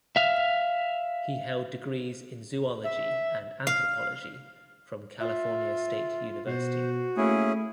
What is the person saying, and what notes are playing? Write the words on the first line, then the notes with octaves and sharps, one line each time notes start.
He held degrees in zoology and anthropology from California State University.
E5 F5
E5
F5
F4 E5
B2 F#4 C5
A3 A#3 C#4 E4 G#4